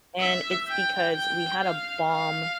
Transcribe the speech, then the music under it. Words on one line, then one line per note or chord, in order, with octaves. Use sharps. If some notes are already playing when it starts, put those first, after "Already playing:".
And it's because we had a bomb
E5
G5
G5
F5
F5